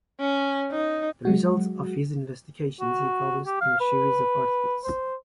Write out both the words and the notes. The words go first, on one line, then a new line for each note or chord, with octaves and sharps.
The results of his investigations he published in a series of articles.
C#4
D#4
F#3 G#3 F#4
F#4
G4
F5
B4
C5